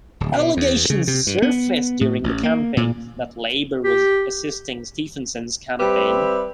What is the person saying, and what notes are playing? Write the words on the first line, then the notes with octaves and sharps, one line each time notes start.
Allegations surfaced during the campaign that Labor was assisting Stephenson's campaign.
D1
B2
E2
C#3
C3
G2
B3
A2
A1
A#3
A#2
G4
G3 C4 G4 B4 E5